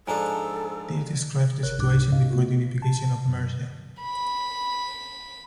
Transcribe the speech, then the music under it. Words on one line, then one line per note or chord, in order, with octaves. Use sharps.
This describes the situation before the unification of Mercia.
G#2 F3 D4 A4 G#5 A#5
G1 A#4 C#5 F#6
C2 G#2 C#3 D4 D6 F#6
G#2 B2 C#4 D#5 F5
A3 B3 F4 F#4
A#2 A5
F#2 F#3
B5